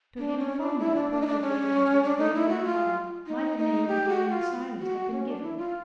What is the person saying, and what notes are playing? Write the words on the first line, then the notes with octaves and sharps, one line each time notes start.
To him far more appropriately than to his great-grandfather might the name of William the Silent have been given.
D4
C#4
D4
E4
D4
D4
D#4
D4
C#4
D4
D#4
E4
F#4
F4
D#4
D#4
G4
F#4
F4
F#4
C#4
D4
E4
F4